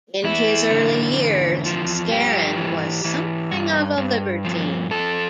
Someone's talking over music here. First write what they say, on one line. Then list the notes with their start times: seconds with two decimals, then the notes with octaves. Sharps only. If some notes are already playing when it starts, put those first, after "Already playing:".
In his early years, Scarron was something of a libertine.
0.24 E2 E4
0.71 D3
1.17 E2
1.65 F3
2.11 G2 G4
2.58 E3
3.04 E3
3.51 G2
3.98 G2
4.45 F3
4.91 F3 A4